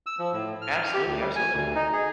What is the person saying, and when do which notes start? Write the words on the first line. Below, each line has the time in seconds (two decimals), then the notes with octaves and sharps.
Absolutely, absolutely.
0.06 E6
0.19 F3
0.33 A2
0.62 F6
0.94 G4
1.07 D2
1.20 G3
1.36 G#5
1.54 D2
1.75 D#4
1.93 G#4